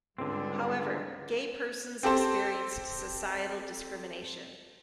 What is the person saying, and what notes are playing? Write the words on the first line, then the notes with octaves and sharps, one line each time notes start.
However, gay persons experienced societal discrimination.
C#2 G#2 D3 G3 C4 D4
C4 G4 A4 C5